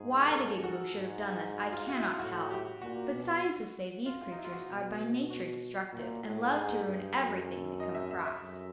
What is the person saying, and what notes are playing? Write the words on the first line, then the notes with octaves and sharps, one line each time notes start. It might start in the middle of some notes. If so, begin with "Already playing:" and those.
Why the Gigaboo should have done this I can not tell; but scientists say these creatures are by nature destructive, and love to ruin everything they come across.
Already playing: G#2 G#4
A#4
A4
F#4
G#2
F4
F#4
E4
F4
A2 F#4
G4
A#2 F#4
B2
F4
F4
D#4
E4
F4
F#4
B2
F#4
A#2 F#4
A2
G#2 G#4
G2
F#2 A4
D#5
E5
E5
E5
F#2